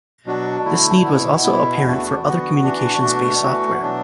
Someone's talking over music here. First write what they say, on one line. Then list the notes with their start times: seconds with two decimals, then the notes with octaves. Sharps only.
This need was also apparent for other communications based software.
0.26 B2 F#3 D4 F#4
0.65 D3 A3 E4
1.04 B2 B3 E4
1.43 B2 B3 E4
1.83 E2 E3 A3 D4 F#4
2.23 D3 B3 F#4
2.62 E3 D4 F#4
3.01 B2 A3 D4 F#4
3.41 E3 A3 F#4
3.81 B2 F#3 D4